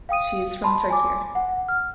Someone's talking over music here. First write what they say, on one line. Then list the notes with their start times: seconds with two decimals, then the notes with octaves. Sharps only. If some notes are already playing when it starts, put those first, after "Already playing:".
She is from Tokyo.
0.09 F5 G5 D#6 D#7
0.64 A5 B5 C6
0.90 G#5 D6
1.35 F#5
1.69 F6